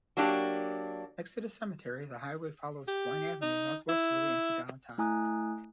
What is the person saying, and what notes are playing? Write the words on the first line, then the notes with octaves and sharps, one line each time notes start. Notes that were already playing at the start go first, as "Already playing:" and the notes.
Next to the cemetery, the highway follows Boyne Avenue northwesterly into downtown.
F#3 A#3 D4 G4
G4
D#4
E4
A3 E4 G#5 A#5 D#6 F#6